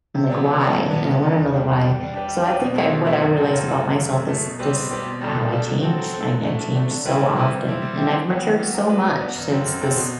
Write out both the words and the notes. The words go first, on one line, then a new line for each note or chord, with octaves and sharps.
I'm like, "Why?" And I wanna know the why. So I think I what I realized about myself is just how I change. I I change so often, and I've matured so much since this
C3
F#3 B3 D4
C3
F#3 B3 D4
G2
F#3 B3 D4
G2
F#3 B3 D4
E2
D3 G3 D4
E2
D3 G3 D4
G3
D4 G4 B4
G3
D4 G4 B4
B2
F#3 A3 C4 E4
B2
F#3 A3 C4 E4
F#2
F#3 C4 F#4 A4
F#2
F#3 C4 F#4 A4
F#2
F#3 A3
F#2
F#3 A3
B2
G3 C4 G4 B4
B2
G3 C4 G4 B4
B2
G3 D4 A4
B2
G3 D4 A4
F#3
C4 F#4 A4
F#3
C4 F#4 A4
G2
F#3 A3 D4
G2
F#3 A3 D4
D3
G3 C4 E4 B4
D3
G3 C4 E4 B4
G3
C4 E4 G4
G3
C4 E4 G4
E3
G3 B3 F#4
E3
G3 B3 F#4
F#3
B3 D4 F#4 B4
F#3
B3 D4 F#4 B4
F#2
D3 F#3 C4
F#2
D3 F#3 C4
B2